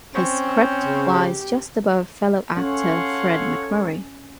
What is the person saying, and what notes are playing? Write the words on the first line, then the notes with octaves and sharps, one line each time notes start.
His crypt lies just above fellow actor Fred MacMurray.
C4 C#4 C5 C#5
C#3
G4
C#4 A4 C#5 F5 F#5 C6